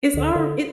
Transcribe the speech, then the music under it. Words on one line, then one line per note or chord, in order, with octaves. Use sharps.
is our i
D2 D3
D3